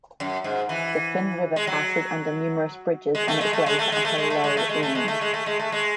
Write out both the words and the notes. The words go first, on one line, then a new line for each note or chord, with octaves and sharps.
The Finn River passes under numerous bridges on its way to Upper Lough Erne.
F#2
G#2
E3
G#3
F#3
G#3
A3
G#3
A3
G#3
A3
G#3
A3
G#3
A3
G#3
A3
G#3
A3
G#3
A3
G#3
A3
G#3
A3
G#3